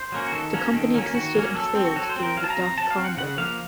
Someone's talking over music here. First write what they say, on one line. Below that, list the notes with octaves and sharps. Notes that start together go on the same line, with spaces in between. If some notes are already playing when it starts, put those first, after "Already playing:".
The company existed and failed during the dot com bubble.
Already playing: C5
F#3 A#3 C#4
F#4
D#3 A4
F#3 A#3 C#4
D#3
F#3 A#3 C#4
D#3 F#4
F#3 A#3 C#4
F#3 A4
C4
F#4
F#3 A4
C5
C4
A#4
F#3 F5
A5
A#5
C4
A#5
F#3 A5
F5
C4
F#5
C#3 F#5
F3 A#3 F5